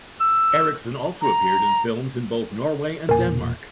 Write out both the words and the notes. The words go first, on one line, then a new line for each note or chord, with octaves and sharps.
Eriksen also appeared in films in both Norway and Denmark.
E6
A#5
E1 A#2 A#4 G#5